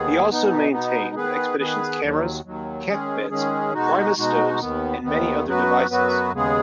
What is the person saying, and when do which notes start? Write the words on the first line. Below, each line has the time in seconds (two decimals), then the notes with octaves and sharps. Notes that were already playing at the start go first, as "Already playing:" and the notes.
He also maintained the expedition's cameras, camp beds, primus stoves and many other devices.
Already playing: D#2 D#3 B3 G#4
0.29 B2 B3 D#4
0.72 B2 B3 D#4
1.15 D#3 B3 G#4 B4
1.58 D#3 B3 G#4 B4
2.01 D#2 D#3 F#3
2.44 D#2 D#3 F#3
2.87 D#3 G#3 C#4 G#4
3.30 D#3 G#3 C#4 G#4
3.74 B2 G#3 D#4 F#4
4.17 B2 G#3 D#4 F#4
4.59 D#2 D#3 B3
5.03 D#2 D#3 B3
5.45 F#2 F#3 B3 F#4 B4
5.89 F#2 F#3 B3 F#4 B4
6.33 D#2 C#3 G#3 B3 G#4